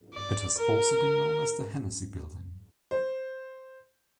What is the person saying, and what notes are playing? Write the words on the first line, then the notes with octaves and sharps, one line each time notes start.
It has also been known as the Hennessey Building.
D5
A#4
C5